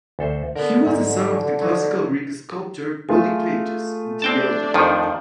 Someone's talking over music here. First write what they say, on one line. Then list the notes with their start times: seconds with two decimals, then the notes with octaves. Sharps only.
He was the son of the Classical Greek sculptor Polykleitos, the Elder.
0.19 D2 A4 C5
0.56 D3 B3 A#4
0.87 G#2
1.62 F#3 D#4
3.09 A3 F4 G#4
4.22 C4 D4 G5 A5
4.74 F2 D#3 F3